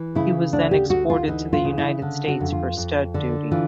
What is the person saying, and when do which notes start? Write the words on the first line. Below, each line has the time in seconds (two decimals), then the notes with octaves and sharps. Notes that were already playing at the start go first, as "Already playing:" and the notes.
He was then exported to the United States for stud duty.
Already playing: E3
0.15 C#3 E4
0.53 D2 D4
0.71 G4
0.90 D2 F#4
1.10 F4
1.28 E3 D#4
1.53 F4
1.65 C#3
1.78 E4
2.02 D3
2.28 F#4
2.40 F2
2.52 F4
2.77 F2
3.14 D3
3.51 E3 F4